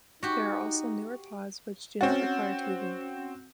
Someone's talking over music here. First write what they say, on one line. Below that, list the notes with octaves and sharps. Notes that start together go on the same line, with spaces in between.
There are also newer "pods" which do not require tubing.
D#4 F#4 G4
C4 C#4 F#4 A6